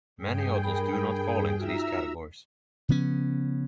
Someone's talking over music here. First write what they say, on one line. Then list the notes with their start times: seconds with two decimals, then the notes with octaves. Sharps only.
Many others do not fall into these categories.
0.17 G2 G#4 G5
0.63 A#4 B5
1.58 D#4 F4 F#4 E5 A#5 E6
2.89 C#3 F3 B3 C#4